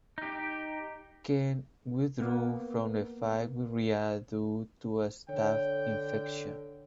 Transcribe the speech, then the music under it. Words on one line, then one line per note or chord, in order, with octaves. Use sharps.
Ken withdrew from the fight with Rea due to a staph infection.
D#4 G4
A#3 B3
D3 C#5 G5